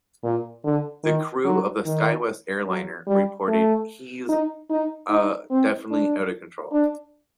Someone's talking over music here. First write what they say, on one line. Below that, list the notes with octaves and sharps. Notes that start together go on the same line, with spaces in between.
The crew of a Skywest airliner reported "He's, uh, definitely out of control".
A#2
D3
D#3
F#3
D#3
F#3
G3
A3
D#4
D#4
D#4
C4
D4
D4